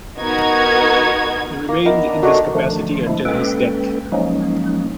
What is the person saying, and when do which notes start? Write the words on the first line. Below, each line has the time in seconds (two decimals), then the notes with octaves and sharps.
He remained in this capacity until his death.
0.20 B3 D#4 F#4 A#4 G#6
1.69 A#3
1.85 B3 D#4 A#4 E5
2.07 D4 A#5
2.22 F#3 A3 D4 D#4
2.54 D3 D#3 F3 A3 D4
3.06 F3 G#3 A3 D4 E4
3.25 G#3 A#3 C#4 A4 B4 G5
4.12 F3 F#3 G#3 A#3 C#4 D#4